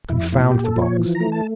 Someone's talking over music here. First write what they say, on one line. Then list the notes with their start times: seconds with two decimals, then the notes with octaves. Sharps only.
Confound the box!
0.09 F2 E4
0.32 A#2 E4
0.49 G4
0.55 A#2
0.65 A4
0.76 F3
0.82 C#5
0.99 E3
1.15 A#5
1.20 A3
1.32 A5